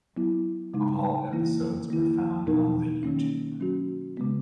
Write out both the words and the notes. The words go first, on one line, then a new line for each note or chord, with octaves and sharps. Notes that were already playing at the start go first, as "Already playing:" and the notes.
All Episodes were found on the YouTube.
F#3 B3 E4
C#3 G#3 D#4
E3 A#3 E4
D#3 A#3 E4
B2 F#3 B3 D#4 A#4
D#3 A#3 C#4
F#3 C#4 F#4
C#3 G#3 B3